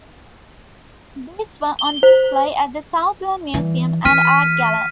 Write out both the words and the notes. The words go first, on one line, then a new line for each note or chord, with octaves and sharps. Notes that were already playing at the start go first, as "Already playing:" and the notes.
These were on display at the Southland Museum and Art Galler.
G7
C5
E3 G3
E3 F6 B6 D#7